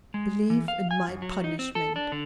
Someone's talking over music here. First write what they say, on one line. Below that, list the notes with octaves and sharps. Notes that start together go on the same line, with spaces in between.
"Believe in my punishment!"
G#3
E3
F5
G#5
F#2
F#3
D#4
C4
A4
D4
D3